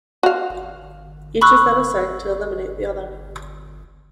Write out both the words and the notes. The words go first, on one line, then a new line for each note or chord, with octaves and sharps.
Each is then assigned to eliminate the other.
F#4 F5
B5 C#6 E6 F#6